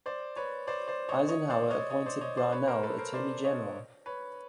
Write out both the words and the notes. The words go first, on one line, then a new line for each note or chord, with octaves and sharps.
Eisenhower appointed Brownell Attorney General.
C5 D5
B4 C#5
C5 D5
C5 D5
C#5 D#5
C#5 D#5
C5 D5
C#5 D#5
C#5 D#5
C5 D5
C#5 D#5
C5 D5
B4 C#5
A#4 C5
A4 B4
A#4 C5
C5 D5
C#5 D#5
B4 C#5